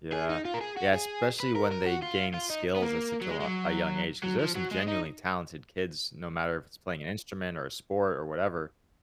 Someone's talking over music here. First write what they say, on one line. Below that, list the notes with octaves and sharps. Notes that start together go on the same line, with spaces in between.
Yeah. Yeah, especially when they gain skills at such a l a young age 'cause there are some genuinely talented kids no matter if it's playing an instrument or a sport or whatever.
G#4
D#4
F4
A#4
G#4
F#4
G#4
B4
A#4
A#4
F#4
F4
F4
D#4
B3
A#3
F#3
G#3
G#3
F#3
F#3
F3
F#3
G#3
D#4